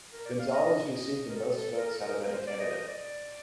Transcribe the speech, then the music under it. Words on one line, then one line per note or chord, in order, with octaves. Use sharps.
Gonzalez received the most votes out of any candidate.
A#4
D5
F5
D#5
D#5
A#4
A4
A4
A#4
A4
A#4
A#4
C5
D5
D#5
D#5
D5